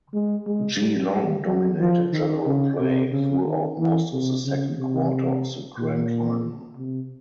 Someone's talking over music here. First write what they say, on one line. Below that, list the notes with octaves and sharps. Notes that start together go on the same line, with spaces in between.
Geelong dominated general play throughout most of the second quarter of the Grand Final.
G#3
G#3
G3
G3
F#3
F3
D#3
C#3
C3
C#3
D#3
E3
C3
C#3
C3
A#2
C3